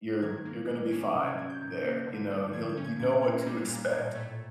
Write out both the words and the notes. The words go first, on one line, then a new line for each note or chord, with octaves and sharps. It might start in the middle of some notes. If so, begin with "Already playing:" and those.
you're you're gonna be fine there, you know, you'll you know what to expect.
D#3 G#6
A#3
G3
C#4
C3
G#6
F#3 G#6
G6
D#3
A#3
D3
A3
F3 G#6
G#6
C#4
G#6
A#2 G#6
A#3
G3
A#2
A2 G#6
A3